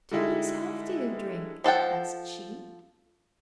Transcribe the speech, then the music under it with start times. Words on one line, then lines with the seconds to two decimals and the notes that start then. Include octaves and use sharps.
'To whose health do you drink?' asked she.
0.11 D3 G3 G#3 D#4 E4
1.64 F3 A4 F#5 G5